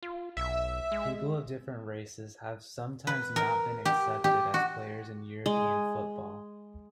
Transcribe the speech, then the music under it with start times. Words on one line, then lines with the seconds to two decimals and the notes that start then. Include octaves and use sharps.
People of different races have sometimes not been accepted as players in European football.
0.02 F4
0.37 B1 E5
0.92 G#3
3.07 B4
3.36 A#4
3.85 G4
4.24 G4
4.54 F#4
5.46 G#3